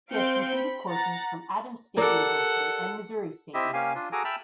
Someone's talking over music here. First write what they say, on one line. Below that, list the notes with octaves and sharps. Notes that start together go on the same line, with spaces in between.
He has completed courses from Adams State University and Missouri State University.
C4 F5 G6 C#7 D7
B5
F#5 A#5 A6
G4 A4 A#4 D5 F#5
C4 E4 G4 D#5 E5
A#3 C#4 G4 F5 G#5
D4 F4
F#4 G#4 A4 G#5 A#5 D6
E5 G5 A5 B5 E6 F6